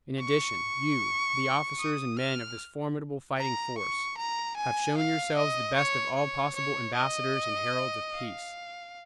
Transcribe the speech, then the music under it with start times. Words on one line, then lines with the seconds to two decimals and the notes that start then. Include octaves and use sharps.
In addition, you, the officers and men of this formidable fighting force, have shown yourselves the best of all possible ambassadors and heralds of peace.
0.21 C#6
1.79 D#6
2.18 F6
3.38 A#5
3.78 C#6
4.18 A#5
4.57 G#5
4.97 F5
5.37 D#5
5.76 C#5
6.15 C#5
6.55 C#5
6.96 D#5
8.14 F5